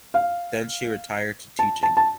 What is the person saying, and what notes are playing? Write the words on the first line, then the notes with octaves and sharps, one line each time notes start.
Then she retired to teaching.
F5
A5
A5
A5